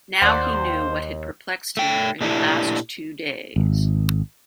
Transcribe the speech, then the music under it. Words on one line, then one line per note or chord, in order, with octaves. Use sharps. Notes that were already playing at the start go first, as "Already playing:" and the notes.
Now he knew what had perplexed him during the last two days.
D#2 C5 D5 F#5
A3 G5
A#2 G#3 A3 D4 E4 G4
G#1